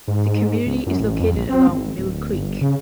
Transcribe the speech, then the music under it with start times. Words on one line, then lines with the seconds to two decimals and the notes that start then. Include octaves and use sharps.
The community is located along Mill Creek.
0.08 G#2
0.66 C#2
0.86 F#2
1.00 A1
1.20 F2
1.36 A#1
1.49 C4
1.67 G#1
1.97 D1
2.32 G1
2.61 C#3